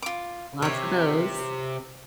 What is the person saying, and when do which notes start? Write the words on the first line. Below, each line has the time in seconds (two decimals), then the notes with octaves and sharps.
Lots of those.
0.02 F4 D6
0.62 C3 C#5 E5